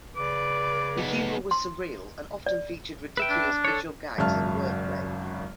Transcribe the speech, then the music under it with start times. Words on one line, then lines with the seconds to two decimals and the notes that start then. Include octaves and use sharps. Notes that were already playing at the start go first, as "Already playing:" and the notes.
The humour was surreal and often featured ridiculous visual gags and wordplay.
0.16 C#3 B4 D5 D6
0.97 B3 D#4
1.51 C6
2.46 D5
3.17 B4 E5 G5
3.30 D4
3.65 A4 C#5
4.18 G#1 F#2 C#3 E5 A5 F6